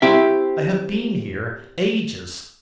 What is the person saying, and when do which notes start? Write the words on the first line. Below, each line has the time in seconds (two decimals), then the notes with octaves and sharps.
'I have been here--ages!
0.02 C4 E4 G4 E5